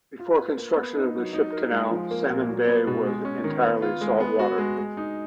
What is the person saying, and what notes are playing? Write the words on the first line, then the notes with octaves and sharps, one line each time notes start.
Before construction of the Ship Canal, Salmon Bay was entirely salt water.
F4
B4
A#3
B3
D#4
F#3
D#4
A#4
G#3
F3
A#3
A#2
F#3
B3
B2
G#3
C#4
D#3
B3
F4
G#3
B3
F#4
G#3
G#3
D#4